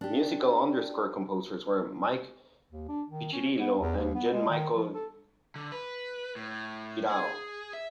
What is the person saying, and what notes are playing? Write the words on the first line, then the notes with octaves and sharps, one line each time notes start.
Musical underscore composers were Mike Piccirillo and Jean-Michel Guirao.
D4 G4
D#2
D4
D#3
C#4
B3
E2
D#2
B3
G#3
D#3
F3
A4
D3
B4
A2
G#4
E5